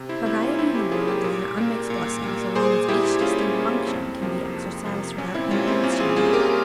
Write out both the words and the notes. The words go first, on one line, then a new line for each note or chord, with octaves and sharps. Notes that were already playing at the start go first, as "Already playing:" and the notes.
Variety in the world is an unmixed blessing so long as each distinct function can be exercised without hindrance to any other.
Already playing: C3
C4 E4
G3 A#3 E4 G4
C#4 F4
C3 C4 E4
E4 G4
G3 A#3 F4 G#4
G4 A#4
A#2
G3 A#3
A#2
G3 A#3
A#2 G#4 C5
G3 A#3 E4 G4
A#2 C#4 F4
G3 A#3
F2 C4
C3 F3 A#3
F2
C3 F3 A#3
A#2 C#4
C4 E4
G3 A#3 C#4 F4
C4 E4
A#2 C#4 F4
F4 G#4
G3 A#3 F4 G#4
G4 A#4